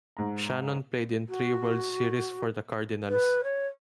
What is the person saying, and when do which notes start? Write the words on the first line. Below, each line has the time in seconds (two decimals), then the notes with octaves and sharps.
Shannon played in three World Series for the Cardinals.
0.17 G#2 A#5
1.29 F#4
3.09 B4
3.44 C#5